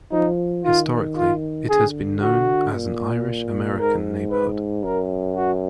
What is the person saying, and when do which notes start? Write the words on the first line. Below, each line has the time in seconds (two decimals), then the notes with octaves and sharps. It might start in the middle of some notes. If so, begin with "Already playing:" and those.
Historically, it has been known as an Irish American neighborhood.
0.12 F3 D#4
0.65 D#3 F4
1.17 F4
1.69 D3 G#4
2.22 F#4
2.75 A#2
3.80 G#2 A#4
4.31 B4
4.84 F#2 A#4
5.36 F#4